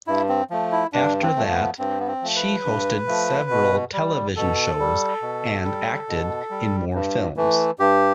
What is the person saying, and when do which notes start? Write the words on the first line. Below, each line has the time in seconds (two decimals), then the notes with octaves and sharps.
After that, she hosted several television shows and acted in more films.
0.07 G2 E4
0.29 C4
0.50 F3 A3
0.72 E4
0.93 G2 D4
1.22 C4
1.36 F3 A3
1.50 B3
1.79 G2 C4
2.00 B3
2.07 C4
2.22 F3 A3
2.36 B4
2.64 G2
3.08 F3 A3
3.50 B2
3.93 G3
4.36 B2 A4
4.79 G3
5.22 B2
5.65 G3
6.08 B2
6.50 G3
6.94 G2
7.37 E3 A3
7.79 G2 G4